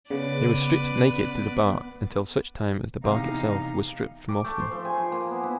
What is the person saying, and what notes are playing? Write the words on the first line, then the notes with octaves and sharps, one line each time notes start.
They were stripped naked to the bark, until such time as the bark itself was stripped from off them.
C#3 B3 B4 D5
E2 C3 B3 D#4 F5 A#5
D6
A3
C5
F3
G#5
C6
A#3
B3
E4